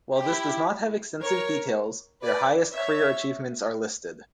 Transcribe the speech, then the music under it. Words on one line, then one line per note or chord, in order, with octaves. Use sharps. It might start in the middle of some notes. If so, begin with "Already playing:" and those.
While this does not have extensive details, their highest career achievements are listed.
E4 G4
A#4 C#5
B4 D5
C#5 E5